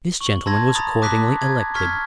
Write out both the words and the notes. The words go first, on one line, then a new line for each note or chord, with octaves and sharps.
This gentleman was accordingly elected.
C#6 F#7
A5 B5 C6 E6 G#6 A#6
A#5 B5 D#6 A6
A5 D6 D#6 F#6 A#6 B6
G#6
C#6 F6 G#6 B6